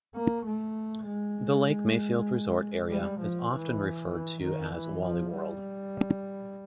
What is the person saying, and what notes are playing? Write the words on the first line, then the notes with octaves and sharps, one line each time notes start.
The Lake Mayfield Resort area is often referred to as 'Wally World'.
A#3
A3
G#3
G3
F3
E3
E3
D#3
E3
F3
G3